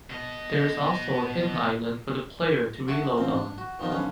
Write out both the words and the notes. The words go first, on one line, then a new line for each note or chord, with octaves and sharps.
There is also a hidden island for the player to reload on.
B2 D#5
F#4 A4 E5
A1 B2 C4 F5
D4
F#4
D#3 F3 G3 B3 D#4 F4
B1 D3 C#4 B4 F5